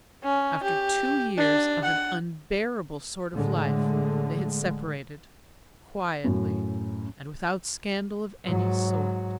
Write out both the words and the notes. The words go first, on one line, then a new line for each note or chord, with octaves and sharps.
After two years of an unbearable sort of life they had separated--quietly, and without scandal of any sort.
C#4
G4
D4
F#5
A2 D3 G#3
F#2 A2
G#2 F#3